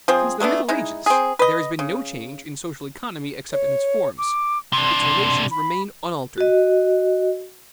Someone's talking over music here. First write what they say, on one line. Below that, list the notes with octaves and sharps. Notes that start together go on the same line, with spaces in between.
Since the middle ages, there has been no change in social economy except in its forms; its relations remain unaltered.
F3 C4 G#4
G#3 A3 B3 D4
G#3 D#4 E4
C4 G#4
B4 D#5
C#3
C#5
D6
C3 D4 C6
B5
F#4 D#5